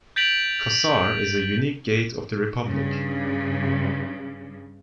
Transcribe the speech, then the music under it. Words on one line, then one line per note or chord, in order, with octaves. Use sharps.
Qusar is a unique gate of the republic.
G6 A6 B6 D7 F7 F#7
G2 C#3